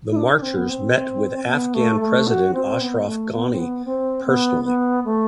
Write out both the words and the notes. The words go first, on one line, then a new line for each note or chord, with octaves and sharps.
The marchers met with Afghan President Ashraf Ghani personally.
E4
D4
C4
B3
C4
B3
A3
A3
F#4
C4
B3
B3
A3
B3
C4
B3
C4
B3
B3
A3